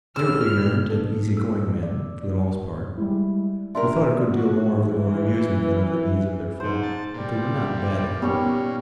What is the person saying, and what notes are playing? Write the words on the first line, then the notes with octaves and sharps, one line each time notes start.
They were ignorant and easygoing men, for the most part, who thought a good deal more of their own amusement than of the needs of their flock, but they were not bad at heart.
E2 A2 E6 F6
A4
E6
D5
G3 G#3 E4
D4 G4 A#4 E5 C6
F#4
E3
G#2 C5
A5
A#2 G3
D#2 G3 B3 C#4 C#6